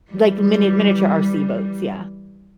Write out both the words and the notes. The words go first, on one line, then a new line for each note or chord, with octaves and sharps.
Like mini miniature RC boats, yeah
E3 G3